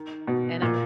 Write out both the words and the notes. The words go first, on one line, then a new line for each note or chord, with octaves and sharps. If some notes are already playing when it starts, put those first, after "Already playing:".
and I'm a
Already playing: D#3
B2
A#2